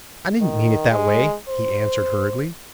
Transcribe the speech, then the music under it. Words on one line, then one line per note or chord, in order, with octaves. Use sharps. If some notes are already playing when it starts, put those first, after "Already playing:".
'I didn't mean it that way,' he answered hurriedly.
D#3
G#3
C5